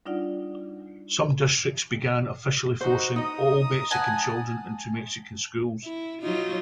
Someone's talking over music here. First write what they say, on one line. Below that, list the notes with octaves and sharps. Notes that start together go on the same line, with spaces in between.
Some districts began officially forcing all Mexican children into Mexican Schools.
G3 D4 D#4 F4 D5 F#5
D#4 F#4 C5
D#4 D#5 A#5 D#6
F#5 G#5 A5
E4
F#3 D#4 F4